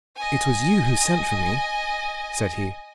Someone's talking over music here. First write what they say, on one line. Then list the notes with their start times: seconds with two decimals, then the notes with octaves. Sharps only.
"It was you who sent for me," said he.
0.16 D#5 G#5